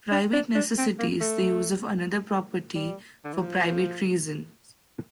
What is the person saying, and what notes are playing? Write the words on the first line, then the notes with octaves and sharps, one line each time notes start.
Private necessity is the use of another's property for private reasons.
D4
D4
D4
C4
A#3
A3
G3
D3
E3
F3